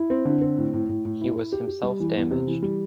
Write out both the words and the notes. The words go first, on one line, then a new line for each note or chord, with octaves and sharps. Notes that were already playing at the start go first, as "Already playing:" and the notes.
He was himself damaged.
Already playing: E4
C4
D3
C4
A2
A2
A2
A2
E4
E4
G4
G4
G3
E3
E2
C3
E3
G3